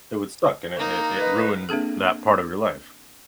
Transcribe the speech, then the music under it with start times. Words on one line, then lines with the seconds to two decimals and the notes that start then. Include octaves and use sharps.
it would suck, and it it it ruined that part of your life
0.76 A#3 D#4
1.17 B4 D#5
1.69 A#3 C4 D4 G#4 A4